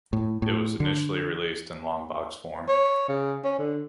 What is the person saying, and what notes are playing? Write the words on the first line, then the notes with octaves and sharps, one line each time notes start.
It was initially released in longbox form.
A2
A2
D3
C#5
C#3
C#4
D3